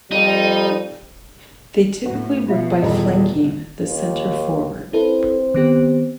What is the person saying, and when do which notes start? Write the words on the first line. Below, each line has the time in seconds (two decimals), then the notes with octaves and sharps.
They typically work by flanking the centre forward.
0.11 F2 G3 D#4
2.06 A2 F#4
2.48 B2 F3 F4 E5 F5
2.82 D#1 E2 A#2 F4 D#5
3.83 D#2
4.93 C4 E4 A4 B4
5.54 D#3 B3 G4